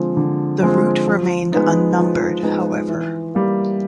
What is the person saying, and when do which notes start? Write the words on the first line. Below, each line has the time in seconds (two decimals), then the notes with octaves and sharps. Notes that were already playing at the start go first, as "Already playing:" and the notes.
The route remained unnumbered however.
Already playing: D3 F3 G#3 C4
0.17 D3
0.62 F3 G#3 C4
1.08 F3
1.52 G#3 B3 D#4
1.98 F3
2.43 G#3 B3 D#4
2.89 E3
3.35 G3 A#3